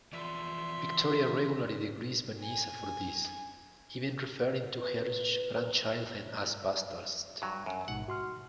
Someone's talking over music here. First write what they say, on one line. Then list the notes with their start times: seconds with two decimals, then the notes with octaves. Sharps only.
Victoria regularly degrades Vanessa for this, even referring to her grandchildren as "bastards".
0.13 E3 F3 D5 E5 C6
2.40 G#5
4.79 B4
7.42 G2 F#3
7.66 F#2
7.88 A1 G#2 B2 F#5
8.08 F#4 C6 F6